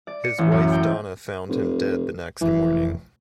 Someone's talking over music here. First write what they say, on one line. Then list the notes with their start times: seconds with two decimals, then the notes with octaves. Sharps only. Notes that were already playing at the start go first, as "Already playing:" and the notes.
His wife Donna found him dead the next morning.
0.07 D5
0.24 C#7
0.38 A1
0.52 F#2
0.72 G5
1.48 F1
2.41 F1 F2 E3